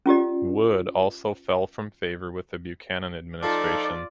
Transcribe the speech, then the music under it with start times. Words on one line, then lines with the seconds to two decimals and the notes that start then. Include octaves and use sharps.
Wood also fell from favor with the Buchanan administration.
0.06 C#4 F4 G4 D5
3.43 F3 D#4 F4 A4 D5